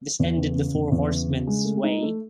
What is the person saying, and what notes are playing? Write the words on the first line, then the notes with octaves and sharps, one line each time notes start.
This ended the Four Horsemen's sway.
E2
C#3
C#3
E2
E2
C#3
C#3
G#3
A3
D#4
A3